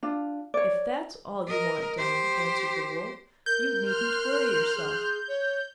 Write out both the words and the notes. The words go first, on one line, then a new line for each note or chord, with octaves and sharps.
'If that's all you want done,' answered the wolf, 'you needn't worry yourself.
D4 F4
C#5 D5
A#4 D#5
G4 C5
A#4 G6
C6 F6 F#6
A#4
G#4
C#5